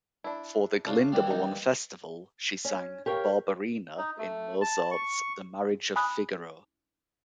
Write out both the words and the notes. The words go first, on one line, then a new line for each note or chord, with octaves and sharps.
For the Glyndebourne Festival she sang Barbarina in Mozart's "The Marriage of Figaro".
D4 E4
C#3 A3 D4 F4
D#2 E3 G3
D#4
C#4
G4 A#4 C#5 F5
D#4
A3
A5
C#6
G#5 B5 D#6 F#6